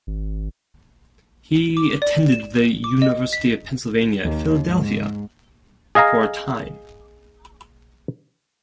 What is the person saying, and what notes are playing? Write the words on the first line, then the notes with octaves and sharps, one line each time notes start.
He attended the University of Pennsylvania at Philadelphia for a time.
G#1
D6
D5
E7
D6
D#5
B6
D#2
G#2
G#4 D#5 F5 G#5 A#5